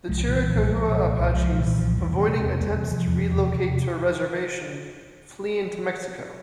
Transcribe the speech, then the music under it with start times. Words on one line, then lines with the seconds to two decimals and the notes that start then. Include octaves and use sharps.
The Chiricahua Apaches, avoiding attempts to relocate to a reservation, flee into Mexico.
0.09 C2 F3 G#3
0.25 A#2
0.30 E3 G3
0.40 A#2
0.51 F3
0.56 C2
0.64 G3
0.72 C2 F3 G#3
0.87 A#2
1.04 A#2
1.19 C2
1.34 C2 F3 G#3
1.50 A#2
1.55 E3 G3
1.66 A#2
1.76 F3
1.82 C2
1.97 E2 E3 G3
2.12 C3
2.18 G3 A#3
2.28 C3
2.39 G#3 C4
2.45 E2
2.60 E2 G3 A#3
2.75 C3
2.91 C3 F3
3.07 E2
3.22 E2
3.38 C3
3.54 C3